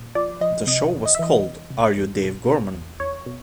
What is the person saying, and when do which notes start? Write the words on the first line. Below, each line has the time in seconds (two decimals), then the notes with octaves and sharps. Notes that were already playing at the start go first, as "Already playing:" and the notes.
The show was called "Are You Dave Gorman?".
Already playing: A#2
0.15 F3 D5
0.41 F3 D#5
0.67 C3 D#5
0.93 E2
1.06 D#5
1.15 E5
1.19 E3 D#5
1.45 E2
1.70 C3
1.97 E2
2.22 B2
2.48 B2
2.75 E2
3.00 E2 C#5
3.26 B2